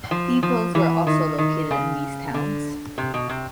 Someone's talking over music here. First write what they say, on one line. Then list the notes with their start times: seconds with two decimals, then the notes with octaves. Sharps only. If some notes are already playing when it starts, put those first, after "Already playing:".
Depots were also located in these towns.
0.11 F3
0.43 F3
0.75 E3
1.07 D#3
1.38 D#3
1.71 C#3
2.34 D3
2.98 C3
3.14 B2
3.29 C3